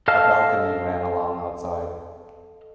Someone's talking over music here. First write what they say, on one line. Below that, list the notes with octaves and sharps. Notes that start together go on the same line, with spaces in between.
A balcony ran along outside.
A4 D#5 F5 A5 F6